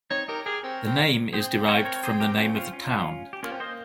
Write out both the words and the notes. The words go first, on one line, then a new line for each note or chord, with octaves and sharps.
The name is derived from the name of the town.
C4 D#4 C#5
D#4 G4 A#4
G4 G#4 A#4
C4 A#4 C#5
C4
C4 G#4 C5
A#4 C#5
A#4 C#5
C#5
G#4 C5
G4 A#4
C#4 F4
C#4 F4
C#4 F4
G4
A#3 C#4 F4
C4
A#3 C5 D#5